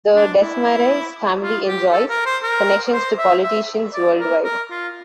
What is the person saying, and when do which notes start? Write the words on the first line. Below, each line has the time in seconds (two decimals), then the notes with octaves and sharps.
The Desmarais family enjoys connections to politicians worldwide.
0.15 D4
0.41 E4
1.42 F4
1.67 G4
1.92 A4
2.09 A#4
2.26 C5
2.43 A#4
2.93 C5
3.18 E5
3.44 E5
3.94 D5
4.20 A#4
4.44 A#4
4.70 F4